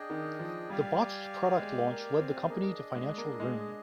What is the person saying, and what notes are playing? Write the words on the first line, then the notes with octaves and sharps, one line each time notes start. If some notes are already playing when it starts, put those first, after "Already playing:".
The botched product launch led the company to financial ruin.
Already playing: D4 G#4 D#5 G5
D#3
F3
G3 G4 D5 F5 G#5
G#3
A#3
C4
A#3 D4 G#4 D#5
G#3
A#3
G#3